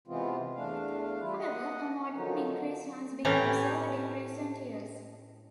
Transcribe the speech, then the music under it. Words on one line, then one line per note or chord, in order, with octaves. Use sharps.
However, a moderate increase has been observed in recent years.
C3 E3 G#3 B3 C4 F4
E2 A3 D4 F5
G3 A3 E4 F4
D#5 F#5
D3 D#3 F3 F#3 D#4
A2 E3 C#4 G4 A#5